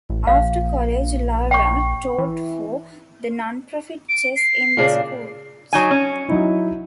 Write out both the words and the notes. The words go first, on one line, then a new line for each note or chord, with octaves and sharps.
After college Laura taught for the non-profit Chess-in-the-Schools.
A1
A#1 F5
G5 C#6
E3
D7
C7
A#2 C#3 D4
F#3 D#4 G#5
C#4
F#3 D#4 E4